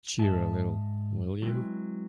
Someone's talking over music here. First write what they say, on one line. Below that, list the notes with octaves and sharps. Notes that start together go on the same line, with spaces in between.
Cheer a little, will you?
G#2 D#5 E5 A5
F#3 G#3 C4 E4 B4